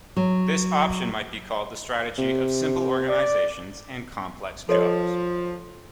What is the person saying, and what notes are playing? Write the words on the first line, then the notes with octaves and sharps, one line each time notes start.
This option might be called the strategy of 'simple organisations and complex jobs'.
F#3
C3
D5
F3 A4 C#5 D#5